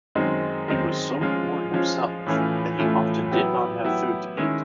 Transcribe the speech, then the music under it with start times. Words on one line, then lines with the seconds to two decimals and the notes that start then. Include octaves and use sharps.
He was so poor himself that he often did not have food to eat.
0.15 F#2 D#3 G#3 C4 D#4
0.68 F#2 D#3 G#3 C4 D#4
1.21 F3 G#3 C#4 F4
1.74 F3 G#3 C#4 F4
2.26 A2 E3 A3 C#4 F4
2.79 A2 E3 A3 C#4 F4
3.31 F#3 B3 E4 G4
3.84 F#3 B3 E4 G4
4.37 D#3 G#3 C#4 E4